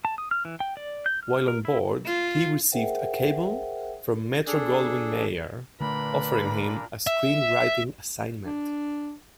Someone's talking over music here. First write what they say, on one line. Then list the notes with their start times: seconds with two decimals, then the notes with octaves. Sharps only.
While on board, he received a cable from Metro-Goldwyn-Mayer offering him a screenwriting assignment.
0.05 A5
0.18 D#6
0.31 F6
0.45 E3
0.60 G5
0.77 D5
1.06 G6
1.23 F6
1.48 A#4
1.65 E4
2.06 F4
2.72 G#4 A#4 C5 E5 F#5 G5
4.47 D4 G#4 A4
5.80 A#2 D3 A3 D4 A#4 B4 B5
7.07 E5
8.46 D4